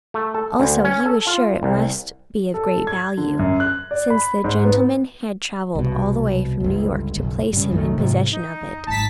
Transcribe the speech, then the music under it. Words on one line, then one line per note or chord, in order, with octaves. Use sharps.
Also he was sure it must be of great value, since the gentleman had travelled all the way from New York to place him in possession of it.
A3
A4
D2
C#4
A4
F4
C2
A4
G#6
D3
F#2
F#6
D5
B5
G#2
B3
C2 B2
G1 C#2
F#1 B1
G2 C#3
C2 F#2 D#3 A3
G#2 C3 F3 F#3
D#4
F2
G#1 F#3 A5 B6